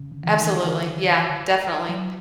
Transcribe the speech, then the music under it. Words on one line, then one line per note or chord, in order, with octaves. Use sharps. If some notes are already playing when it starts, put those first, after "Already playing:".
Absolutely, yeah, definitely.
Already playing: C#3
D3
E3
D#3
F#3